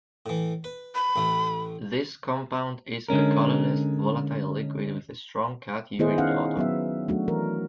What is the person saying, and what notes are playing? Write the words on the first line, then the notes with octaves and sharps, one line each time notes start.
This compound is a colorless, volatile liquid with a strong cat urine odor.
A2 E3
B4
B5
A1 A2 A3
D3 G#3 C#4 A#4
D#3 B3 E4 G#4 C5 D#5
C#4 D#4 F5 F#5
F#3 B3 E5
F#3 A3 D4 F#4
E3 A#4